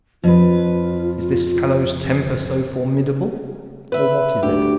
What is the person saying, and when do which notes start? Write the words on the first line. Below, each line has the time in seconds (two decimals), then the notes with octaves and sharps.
Is this fellow's temper so formidable, or what is it?
0.24 F2 F4 B4
3.92 B4 E5
4.43 D2 G4